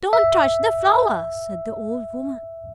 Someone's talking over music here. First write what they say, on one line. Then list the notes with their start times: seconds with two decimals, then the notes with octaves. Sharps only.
"Don't touch the flower!" said the old woman.
0.13 E5